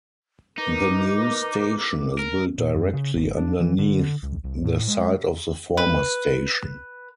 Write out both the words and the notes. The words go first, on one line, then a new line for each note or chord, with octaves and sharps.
The new station is built directly underneath the site of the former station.
D#4 A#4 B4 D6
A#4
A#2
F#2
C#3
G#1
D4
E3
D3
C#2
C2
A2
G#3
B4